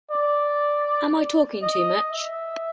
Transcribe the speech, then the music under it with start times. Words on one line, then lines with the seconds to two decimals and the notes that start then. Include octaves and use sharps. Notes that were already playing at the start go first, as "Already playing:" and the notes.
Am I talking too much?
0.11 D5
1.62 D#5
2.12 E5